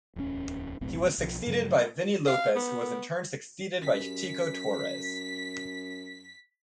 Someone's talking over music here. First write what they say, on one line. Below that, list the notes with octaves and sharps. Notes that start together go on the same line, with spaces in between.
He was succeeded by Vini Lopez who was in turn succeeded by Tico Torres.
D1 E2 F#3 C#4
E1 B1 A2 C4
B1 F3
G2 C#3 F#3 A3
F5
B3
F#2 B6